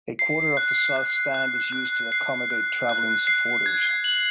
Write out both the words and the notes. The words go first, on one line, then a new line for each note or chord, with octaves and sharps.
A quarter of the South Stand is used to accommodate travelling supporters.
C7
F#6
F#6
F#6
F#6
C7
F#6
F#6
C7
G#6
F#7